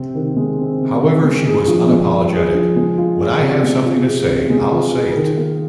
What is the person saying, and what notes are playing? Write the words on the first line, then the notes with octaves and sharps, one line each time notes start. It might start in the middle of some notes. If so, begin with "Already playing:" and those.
However she was unapologetic: When I have something to say, I'll say it.
Already playing: C3 C4
D#3
G#3
C4
C3
D#3
G#3
G#4
F3
G#3
F4
G#4
F3
G#3
F4
G#4
C3
G#3
F4
G#4
C3
G#3
F4
G#4
D#3
A#3